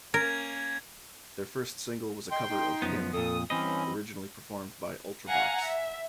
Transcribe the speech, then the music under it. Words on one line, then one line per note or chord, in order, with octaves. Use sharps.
Their first single was a cover of "Hymn", originally performed by Ultravox.
A#3 C#4 A#4 G#6
D#5 G5 C6
D#4
F#2 F3 B3
F2 A#2 A4 D#6
G2 E3 C4 C#4 D#5 B5
F5 F#5 G#5 A#5
E5